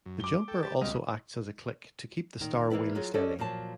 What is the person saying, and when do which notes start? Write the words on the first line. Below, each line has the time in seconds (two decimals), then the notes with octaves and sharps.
The jumper also acts as a click to keep the star wheel steady.
0.05 F#2
0.20 D6 G7
0.48 A4 G5
0.63 G4 A5
0.81 C#2 B2 G3 D#5 F6
2.41 A#2 D#3
2.70 E3 A#3 E4 B4 D5
2.95 F#3 F4 G#4 A#4
3.14 C#4 G4 A4 D5 D#5
3.39 A#2 F3 F#3 A5